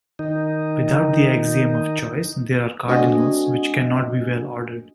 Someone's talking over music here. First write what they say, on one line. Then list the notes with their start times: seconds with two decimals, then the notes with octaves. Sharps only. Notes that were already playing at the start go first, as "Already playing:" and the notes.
Without the axiom of choice, there are cardinals which cannot be well-ordered.
0.19 D#3 D#4
2.88 A3 C4 D4 F#4 D#5 G#5